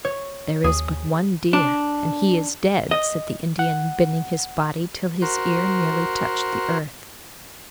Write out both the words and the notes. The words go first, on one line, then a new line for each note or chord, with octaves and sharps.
"There is but one deer, and he is dead," said the Indian, bending his body till his ear nearly touched the earth.
C#5
D#2 G#4
D4
D#5
F#5
F#4 A#4 C5